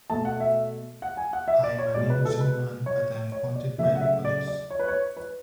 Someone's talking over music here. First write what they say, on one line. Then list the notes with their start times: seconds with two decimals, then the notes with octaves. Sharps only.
I’m an innocent man, but I’m wanted by the police.
0.10 B2 A3 A5
0.25 F#5
0.40 E5
1.02 F#5
1.17 G#5
1.33 F#5
1.48 E5
1.63 D5
1.79 C#5
1.94 B2 G#3 D5
2.10 B4
2.25 A4
2.41 B4
2.86 C#5
3.32 C#5
3.55 D5
3.78 C#3 F#3 A3 E5
3.95 F#5
4.01 E5
4.25 D5
4.47 D5
4.70 C#5
4.79 B4
4.88 C#5
5.17 B4